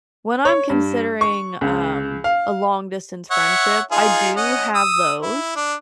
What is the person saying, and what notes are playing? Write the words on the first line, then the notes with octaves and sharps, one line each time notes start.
when I'm considering, um, a long-distance friendship, I do have those,
C#5
G2
C#6
C#2
F5
C#5 E5 F#5
D#4 F4 G#4
C#4 D#5 F#5
D#6 E6
E4
D4